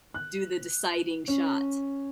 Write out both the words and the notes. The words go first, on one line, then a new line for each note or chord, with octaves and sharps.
do the deciding shot.
F#6
C#4